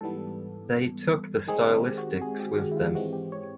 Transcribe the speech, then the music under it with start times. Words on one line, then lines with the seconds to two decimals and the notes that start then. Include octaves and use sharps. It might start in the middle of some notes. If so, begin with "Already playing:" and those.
They took The Stylistics with them.
0.01 G#2 E3 G3 B3 A4
1.48 D#3 G#3 C4 D#4 G#4
1.73 G4
1.98 F#4
2.22 G#4
2.40 G4
2.59 F#4
2.72 E4
2.77 F4
2.95 G#2 E3 G#3 C4 F#4
3.13 G4
3.32 C#5